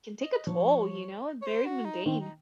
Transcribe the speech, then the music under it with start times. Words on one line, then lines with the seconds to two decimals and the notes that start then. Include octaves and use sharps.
can take a toll, you know? Very mundane.
0.20 D#5
0.47 F3 C#5
1.42 C#5
1.47 C5
1.66 F#4
1.85 D#4
2.05 D#3 C4
2.20 D#4